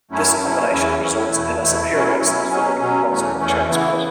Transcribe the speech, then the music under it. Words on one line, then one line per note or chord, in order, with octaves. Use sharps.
This combination results in a superior "specific cost of transport".
F#2 F#3 A3 C#4 E4
F#2 F#3 A3 C#4 E4
E2 E3 C#4 E4
E2 E3 C#4 E4
E2 B2 A3 E4
E2 B2 A3 E4
B2 F#3 C#4 E4
B2 F#3 C#4 E4
B2 F#3 C#4
B2 F#3 C#4
E2 E3 A3 C#4
E2 E3 A3 C#4
C#3 E3 B3 E4